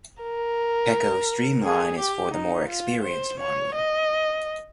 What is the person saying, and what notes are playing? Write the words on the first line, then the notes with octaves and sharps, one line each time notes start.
Peco Streamline is for the more experienced modeller.
A#4
G#4
G4
D#4
F4
C5
C#5
D#5